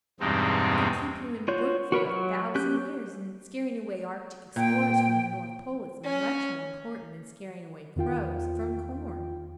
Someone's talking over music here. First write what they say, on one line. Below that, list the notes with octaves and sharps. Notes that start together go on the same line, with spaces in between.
I can keep you in work for a thousand years, and scaring away Arctic Explorers from the North Pole is much more important than scaring away crows from corn.
E2 G2 B2 G#3 C4 D#4
F4 F#4 C#5 G6
F#4 A#4 B4 C#5
F#3 F#4
C#4 G4 F#6 G6
A#2 G5
C#4
E2 D#3 F4 G5